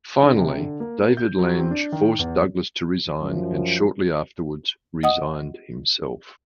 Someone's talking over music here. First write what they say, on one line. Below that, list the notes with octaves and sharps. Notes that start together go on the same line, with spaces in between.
Finally, David Lange forced Douglas to resign, and shortly afterwards resigned himself.
D3
C3
D3
A#3
G6
F#3
C4
D4
D#3
E2
F#2 F3
D#5 F#5 D#6